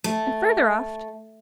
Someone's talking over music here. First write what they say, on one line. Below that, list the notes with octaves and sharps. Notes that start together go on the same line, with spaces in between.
"And further aft?"
A3